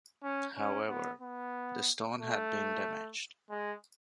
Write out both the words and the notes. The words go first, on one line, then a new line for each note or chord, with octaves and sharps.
However, the stone had been damaged.
C#4
C#4
B3
B3
A3
G#3